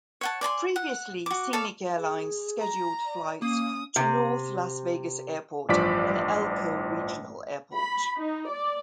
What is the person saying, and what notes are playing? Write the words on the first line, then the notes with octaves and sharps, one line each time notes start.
Previously Scenic Airlines scheduled flights to North Las Vegas Airport and Elko Regional Airport.
C#5 F#5 A5
D5 G#5 A5 C6
F#5
F#4 D6
A4 C#5 D5 F5
G#4
A#5
D5
A#3 C#4 D#6
C3
A1 G2 F3 D5 D6 B6
B5
D#4
D5